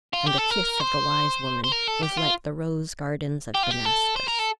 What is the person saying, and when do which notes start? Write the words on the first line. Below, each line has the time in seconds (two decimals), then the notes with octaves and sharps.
And the kiss of the wise woman was like the rose-gardens of Damascus.
0.13 F4
0.26 G4
0.38 A4
0.50 A#4
0.80 C5
1.64 C5
1.72 A#4
1.87 A4
2.03 G4
2.17 F4
3.55 G4
3.63 F4
3.71 G4
3.85 A4
4.16 C5
4.28 A#4
4.39 A4